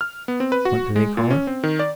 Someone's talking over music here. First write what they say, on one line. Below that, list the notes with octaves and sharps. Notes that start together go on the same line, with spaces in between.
What do they call it?
F6
B3
C4
B4
F#4
G#3
A#2
C#4
C4
D#3
D5